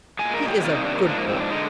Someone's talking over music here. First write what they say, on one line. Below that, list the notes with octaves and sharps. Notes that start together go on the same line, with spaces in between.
He is a good boy.
A#2 G#3 G#5
A#4
G4
C3 D#3 G3 A#3 F4
D#4
D4
A#3
G#2 F3 A#3 D4
A#3
C4
D4
D3 G#3 D#4